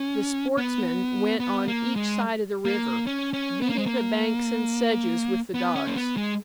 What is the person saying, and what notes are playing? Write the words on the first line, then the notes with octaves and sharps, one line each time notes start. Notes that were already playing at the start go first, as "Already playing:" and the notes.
The sportsmen went on each side of the river, beating the banks and sedges with the dogs.
Already playing: C#4
B3
B3
A#3
G#3
A#3
C#4
C#4
B3
A#3
G#3
A#3
B3
C#4
A#3
B3
G#3